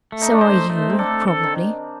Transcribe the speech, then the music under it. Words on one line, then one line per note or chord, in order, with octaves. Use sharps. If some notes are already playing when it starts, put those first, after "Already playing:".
So are you, probably.
A3
D#4
D4
D#4 C5
A3
C4
D4 A4
A4
D#3